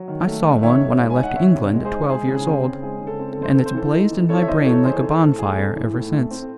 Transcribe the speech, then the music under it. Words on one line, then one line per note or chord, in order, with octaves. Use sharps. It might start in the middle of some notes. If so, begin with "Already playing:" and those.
I saw one when I left England at twelve years old, and it's blazed in my brain like a bonfire ever since.
Already playing: F#3
D#3
A3
D#4
D#3 C#5 E5
C3
G#3
G#5
D#4
F#5
D#3 C#5 E5
C3
G#3
G#4 C5
D#4
G#3 G#4
C#3
G#4
C4
C#3
G#3 G#4
C#3
A4
C4
A4
C#3
C5
C4 A4
C5
E3 A4
D#4
E3
C4 A4 C#5
E5
E3 C5 D#5
D#4 A4 C#5
E3 G#4 C5
E3 A4
A2 A4
A3 G#4
C4 A4
E3
A2
A3
C4